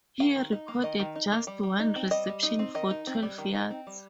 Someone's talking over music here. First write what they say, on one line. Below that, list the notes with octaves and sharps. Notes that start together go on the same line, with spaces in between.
He recorded just one reception for twelve yards.
D#3 F5
D#3
D#4
A#3
D#3 D#5
D#3
D#4
A#3
G3
G3
D#4
C4
G3 D#5
G3
D#4
C4
D#3 D#5
D#4
C4
G3
D#3
D#4
C4
G3